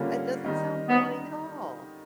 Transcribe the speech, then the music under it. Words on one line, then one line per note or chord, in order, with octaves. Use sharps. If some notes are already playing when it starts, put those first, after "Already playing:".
It doesn't sound boring at all.
Already playing: D3 G3 A#3 C#4 F4
D#3 G3 C4 D#4
B3